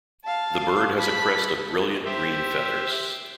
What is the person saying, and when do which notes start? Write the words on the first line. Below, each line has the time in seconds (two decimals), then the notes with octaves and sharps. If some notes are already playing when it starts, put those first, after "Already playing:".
The bird has a crest of brilliant green feathers.
0.24 F5 A5
0.98 A5 B5
2.05 G4 C5 E5